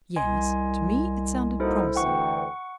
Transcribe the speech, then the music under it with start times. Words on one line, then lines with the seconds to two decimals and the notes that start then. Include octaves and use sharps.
"Yes?" To me it sounded promising.
0.16 C2 D#5 G#5 C6
1.60 A#3 D#4 E4 F#4 A4 C5
1.96 D2 E3 F#5 G5 C#6